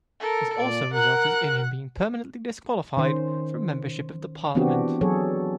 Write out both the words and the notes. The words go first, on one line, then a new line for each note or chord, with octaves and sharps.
This also resulted in him being permanently disqualified from membership of the parliament.
A4 A#4
A#2 D5
A#4 F#5 F#6
D#3 C#4 C5
E3 B3 C4 D4 F#4 G4
F#3 G#4 A4 C#5